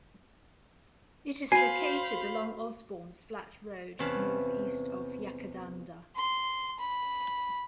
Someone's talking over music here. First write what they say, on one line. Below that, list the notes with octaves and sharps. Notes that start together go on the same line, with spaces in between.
It is located along Osbornes Flat Road, north-east of Yackandandah.
F#4 C5 F5 G#5 B5 C7
E2 C3 C#4 B4 F5 A5
C6
B5